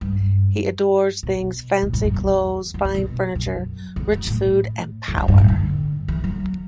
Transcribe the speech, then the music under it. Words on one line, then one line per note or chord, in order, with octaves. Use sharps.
He adores things-fancy clothes, fine furniture, rich food-and power.
G2
B2
B2
G2
F#2
E2
F#2
G2
B2
F#2
E2
F#2
A2
F#2
G2
G2
A2
D3
E3
F#3